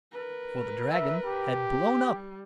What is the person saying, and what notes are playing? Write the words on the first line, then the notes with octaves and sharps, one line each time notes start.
For the dragon had blown up.
A#4 B4
E5
G4
G3